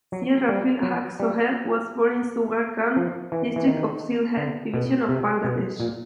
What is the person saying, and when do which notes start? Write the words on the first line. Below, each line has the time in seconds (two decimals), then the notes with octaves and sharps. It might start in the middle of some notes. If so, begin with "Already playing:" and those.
Syed Rafiqul Haque Sohel was born in Sunamganj District of Sylhet Division of Bangladesh.
0.12 F#3
0.49 G3
0.83 F#3
1.20 G3
2.97 F3
3.32 E3
3.56 E3
3.67 D#3
4.37 D3
4.74 B2
5.09 C3
5.44 B2
5.80 A#2